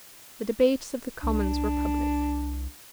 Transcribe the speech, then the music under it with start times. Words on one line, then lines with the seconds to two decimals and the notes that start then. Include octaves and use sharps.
The debates of the Commons were public.
1.23 C2 D4